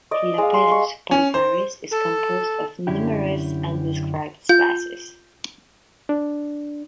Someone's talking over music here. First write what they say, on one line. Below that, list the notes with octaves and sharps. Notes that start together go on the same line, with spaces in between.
"Phyllopezus pollicaris" is composed of numerous undescribed species.
D5 D#5
G#3 F5
C6
C#6
C#4
C5
A4
F#2 D3 C#4 E4 G4
F4 G6
D4